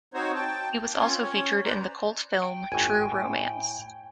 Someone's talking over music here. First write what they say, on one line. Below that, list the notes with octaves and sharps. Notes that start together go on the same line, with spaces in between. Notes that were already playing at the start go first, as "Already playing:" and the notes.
He was also featured in the cult film "True Romance".
C4 D#4 F#4 C5 C#5
G5 A5
A#3
A#3 C4 C#4 F4 C#5
C#4 C#5
B4 C5 D5 A#5
G5
G#1 A2 G#5
A2